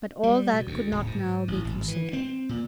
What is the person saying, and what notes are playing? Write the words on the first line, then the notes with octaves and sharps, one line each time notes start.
But all that could not now be considered.
G3
B2
D2
D1
G#2
A1
G#1
E3
C4
A#2